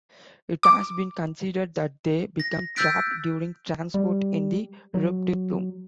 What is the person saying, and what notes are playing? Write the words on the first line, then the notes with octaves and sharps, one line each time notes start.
It has been considered that they became trapped during transport in the eruptive plume.
D6
A#6
E6 F#6 G6 A6 B6 D7
G3
F#3